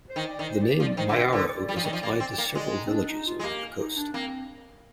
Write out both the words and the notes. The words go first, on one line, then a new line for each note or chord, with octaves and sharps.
The name Mayaro is applied to several villages along the coast.
C5
D#3
D5
D#3
C5
D5
F3
D5
D#3 C5
D3
C3
D3 D5
G3
F3
D#3
F3
A#3
C4
A#3
G#3
D#4
C4
D4
D4
D#4
F4
G#3
A#3 G4
D#4
D4
A#3 C4